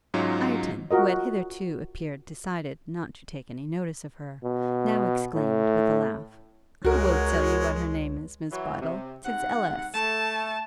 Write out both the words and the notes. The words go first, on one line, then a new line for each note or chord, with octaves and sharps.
Ireton, who had hitherto appeared decided not to take any notice of her, now exclaimed, with a laugh, 'I will tell you what her name is, Miss Bydel; 'tis L.S.'
G#2 F#3 C#4 D#4 F4
F4 F#4 A#4 D#5
B2
A2
C#2 G#3 F#4 A#4 C#5
E3 F#3
C3
G#2 C3 F#5
A3 A5